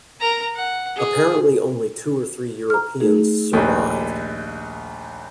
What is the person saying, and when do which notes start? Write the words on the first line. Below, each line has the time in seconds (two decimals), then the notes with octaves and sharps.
Apparently only two or three Europeans survived.
0.20 A#4 A#5
0.55 F#5
0.96 G#4
2.70 A#5 F6
3.00 A3 D#4 G#4
3.53 A#1 D#2